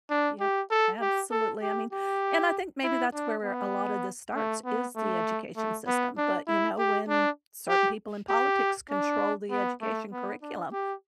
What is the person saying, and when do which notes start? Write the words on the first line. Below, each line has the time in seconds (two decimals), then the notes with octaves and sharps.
Yup, absolutely, I mean and I think maybe that's where where a lotta this starts, is the education system, but, you know, when certain people in politics control the education curriculum,
0.10 D4
0.40 G4
0.71 A4
1.01 G4
1.31 A4
1.62 G4
1.92 G4
2.84 E4
3.14 D4
3.44 B3
4.35 A3
4.65 B3
4.96 A3
5.57 A3
5.87 B3
6.17 D4
6.47 E4
6.78 G4
7.09 D4
7.69 G4
8.29 G4
8.90 D4
9.51 B3
9.82 A3
10.12 B3
10.42 D4
10.72 G4